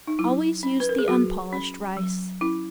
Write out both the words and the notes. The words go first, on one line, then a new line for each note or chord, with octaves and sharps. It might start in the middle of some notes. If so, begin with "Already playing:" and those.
Always use the unpolished rice.
D#4
F#3 E4
C#4
B4
A#4
G#4
F#3 F#4
C#4
F#3
C#4 E4